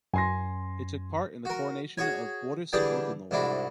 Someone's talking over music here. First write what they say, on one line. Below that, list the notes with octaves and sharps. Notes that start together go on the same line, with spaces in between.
He took part in the coronation of Boris Godunov.
F#2 G#5 C6 A#6
F#4 A#4
F#4 G#4 C#5 G#5
D3 E3 G3 D4 G4 G#4
C2 G#2 D4 E4 F#4